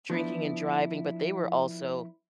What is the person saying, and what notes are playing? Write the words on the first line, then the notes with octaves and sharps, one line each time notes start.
drinking and driving, but they were also,
F3 B3 D4 E4